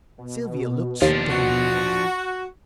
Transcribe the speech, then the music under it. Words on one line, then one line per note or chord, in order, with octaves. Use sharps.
Sylvia looked stunning.
B2
D#2 F3 D4
F#4